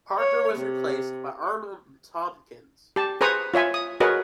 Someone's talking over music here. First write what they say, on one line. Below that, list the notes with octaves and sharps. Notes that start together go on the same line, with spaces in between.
Parker was replaced by Arnold Tompkins.
C#5
C3
G4 A5
G#4 B4 C5 A#5 C#6 D#6
F4 C#5 E5 G#5
D#6
F#4 G#4 A#4 B4 C#5 D#5